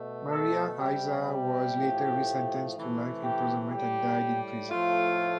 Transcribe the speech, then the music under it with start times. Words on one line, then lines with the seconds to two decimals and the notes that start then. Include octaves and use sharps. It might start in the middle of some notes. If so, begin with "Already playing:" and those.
Maria Isa was later resentenced to life imprisonment and died in prison.
Already playing: B2 A3
0.31 A4
0.80 C3 G3 G4
1.30 G4
1.78 A2 F3 A3
2.75 C3 E3 A3
3.24 G4
3.72 A2 G3 G4
4.69 A2 F3 A3 F4